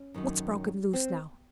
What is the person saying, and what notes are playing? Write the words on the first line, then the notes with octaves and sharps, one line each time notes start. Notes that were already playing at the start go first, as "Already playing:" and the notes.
What's broke loose now?
Already playing: C#4
F#2 D#3 F#3
C4